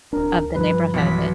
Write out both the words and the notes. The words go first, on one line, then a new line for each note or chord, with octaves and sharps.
of the neighborhood.
D1 D4 A#4
G2 F3 B4
B1 E3 B3 B6